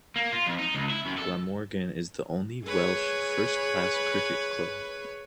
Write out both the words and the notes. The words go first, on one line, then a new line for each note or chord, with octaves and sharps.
Glamorgan is the only Welsh first-class cricket club.
A#3
F4
F2
D#4
C#2
E4
F#2
A4
G#4 B4 C#5